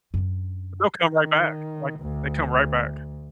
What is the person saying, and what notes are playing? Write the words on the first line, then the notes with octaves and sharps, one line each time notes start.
They'll come right back, like, they come right back.
F#2 D4
D#3
D2